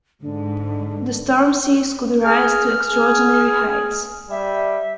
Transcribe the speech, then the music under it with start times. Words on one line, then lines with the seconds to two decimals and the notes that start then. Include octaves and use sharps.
The storm seas could rise to extraordinary heights.
0.21 G#2 D3
2.24 G#4 F6
2.88 G#4
4.30 G3 E5